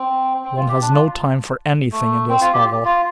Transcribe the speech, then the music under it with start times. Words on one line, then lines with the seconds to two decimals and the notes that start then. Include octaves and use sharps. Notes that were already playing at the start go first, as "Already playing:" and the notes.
"One has no time for anything in this hovel!"
Already playing: C4
0.44 C4
0.57 F4
0.69 G4
0.82 D4
0.94 F4
1.92 A3
2.29 C4
2.41 F4
2.53 G4
2.85 F4